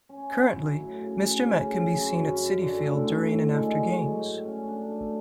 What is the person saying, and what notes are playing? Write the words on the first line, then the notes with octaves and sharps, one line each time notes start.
Currently, Mr. Met can be seen at Citi Field during and after games.
C#4
E4
F#3
A2
C#3
C#3
C#3
C#3
F#2
F#2
F#2
D3
A2
A2
A2
G#3
F#3
F#3
A2
C#4
D4
A3